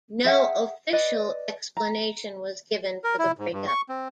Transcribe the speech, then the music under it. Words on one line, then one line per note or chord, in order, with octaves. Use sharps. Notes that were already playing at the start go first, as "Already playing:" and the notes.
No official explanation was given for the breakup.
G#4 E5 F#5 G5
B4 D5 D#5
A#5
A#4
E4
G#2
G2
C#6
C4